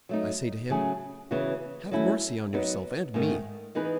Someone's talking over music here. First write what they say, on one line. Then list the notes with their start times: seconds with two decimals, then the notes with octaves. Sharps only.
I say to him, "Have mercy on yourself and me."
0.09 F#3 A3 D#4
0.70 C#3 F#3 A3 C#4 G#4
1.31 C#3 E3 B3 F#4
1.91 F#3 A3 C#4 E4
2.53 F#3 B3 D#4
3.14 G#2 D#3 A3
3.75 E3 B3 D#4 G#4 B4